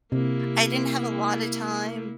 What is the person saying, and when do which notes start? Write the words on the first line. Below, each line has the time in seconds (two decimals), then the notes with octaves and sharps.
I didn't have a lotta time
0.12 C3 A#3 E4